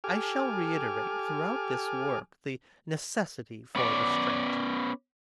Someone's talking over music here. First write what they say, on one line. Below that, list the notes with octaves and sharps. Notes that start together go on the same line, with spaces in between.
I shall reiterate throughout this work the necessity for restraint.
G4 A4 G#5 D6 F6
B3 C#4 C#5 D5